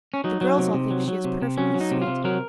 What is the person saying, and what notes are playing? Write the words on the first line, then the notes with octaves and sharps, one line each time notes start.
The girls all think she is perfectly sweet.
C#4
F#3 D#4
F#3
C3
C3
F#3
F#3
C3
C3
F#3 C#4
F#3
D#4
C3
F4
C3
F#3 A#4